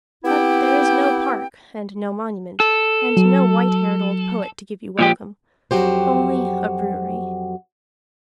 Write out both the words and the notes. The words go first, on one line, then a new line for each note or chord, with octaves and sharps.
But there is no park, and no monument, and no white-haired old poet to give you welcome--only a brewery.
B3 C4 E4 G4 G5
A4
F#3
A#2 F3 G4
F2 F#3 F#4 G4 C5